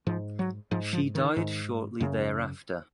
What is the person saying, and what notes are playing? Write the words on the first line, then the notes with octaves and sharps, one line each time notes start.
She died shortly thereafter.
G#2 F3
F#3
G#2 F3
F3
D#3
G#2
F#2 C#3